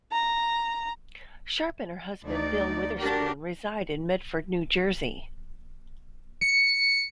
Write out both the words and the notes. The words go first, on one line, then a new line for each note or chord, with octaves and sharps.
Sharp and her husband Bill Witherspoon reside in Medford, New Jersey.
A#5
D2 D#4 D5
D4 F#4 G4 A#4
C#7